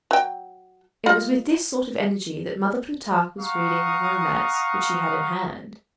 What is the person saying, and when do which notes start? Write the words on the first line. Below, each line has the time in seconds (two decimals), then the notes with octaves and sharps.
It was with this sort of energy that Mother Plutarque was reading the romance which she had in hand.
0.11 F#3 G5
1.06 F4 D#5 B5
3.40 F5 F#5 A#5 C#6 D#6